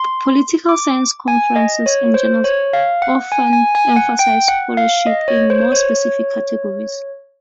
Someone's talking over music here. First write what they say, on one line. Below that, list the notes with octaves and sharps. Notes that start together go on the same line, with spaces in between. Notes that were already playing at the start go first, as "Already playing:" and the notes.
Political science conferences and journals often emphasize scholarship in more specific categories.
Already playing: C6
D6
G#5
D#5
C#5
C5
C#5
F5
F#5
G#5
G#5
G#5
F#5
G5
F#5
F5
D#5
C#5
C5
C#5